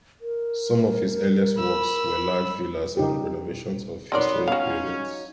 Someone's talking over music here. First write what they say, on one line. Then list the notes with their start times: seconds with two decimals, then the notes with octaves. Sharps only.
Some of his earliest works were large villas and renovations of historical buildings.
0.21 A#4
1.58 B5 E6
2.96 C#3 D#4 F4 G4 A#4
4.12 F#3 B3 C4 D#4 A#4 D5 C6
4.48 B3 C#4 F#4 F5